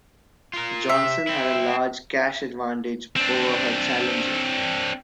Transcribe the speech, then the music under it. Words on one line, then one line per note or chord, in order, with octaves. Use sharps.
Johnson had a large cash advantage over her challenger.
F4 A#4
C3 E5
C4 E4
C4 D4